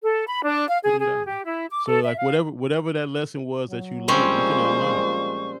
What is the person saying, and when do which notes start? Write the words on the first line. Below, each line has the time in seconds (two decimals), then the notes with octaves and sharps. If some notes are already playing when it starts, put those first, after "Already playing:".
put 'em down." So, like, whatever whatever that lesson was that you learned, you can unlearn it.
0.02 A4
0.26 B5
0.43 D4
0.69 F5
0.83 G#4
0.98 G#4
1.26 G4
1.44 E4
1.69 D6
1.88 A4
2.04 E5
2.18 F5
3.69 F#3
4.08 A#2 F3 G3 G#3 C4 C#4 C5 C#6